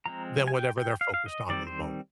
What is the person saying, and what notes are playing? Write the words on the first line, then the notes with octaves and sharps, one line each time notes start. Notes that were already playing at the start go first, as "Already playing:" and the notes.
than whatever they're focused on in the moment.
F3 G#3 C4 A#5
G#5
G5
G5
F5
F5
D#5
D#3 G3 C4 D5
C5